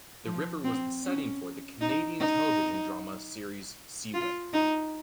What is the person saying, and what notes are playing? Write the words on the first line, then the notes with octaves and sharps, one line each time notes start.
The river was the setting for the Canadian television drama series Seaway.
F3
C4
C#4
D#4
D#4
F4
D#4